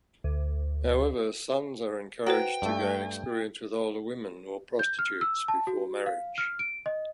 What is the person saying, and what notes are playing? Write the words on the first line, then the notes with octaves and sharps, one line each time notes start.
However, sons are encouraged to gain experience with older women or prostitutes before marriage.
D2
F#4 B4 C5 G5 A#5
G2 A3
G6
F6
E6
A5
F#4
F5
F6
D7
D#5